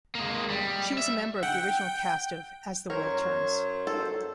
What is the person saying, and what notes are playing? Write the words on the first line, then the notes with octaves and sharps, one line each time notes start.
She was a member of the original cast of "As the World Turns".
G#3 A#3
G3
E5
F#5 G5
F#2 F#3 A#4 C5 C#5
A4